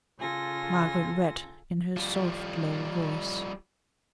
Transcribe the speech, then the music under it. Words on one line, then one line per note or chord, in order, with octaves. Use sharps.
Margaret read in her soft low voice.
C#3 F4 A4 G#5 C6 A#6
F3 G3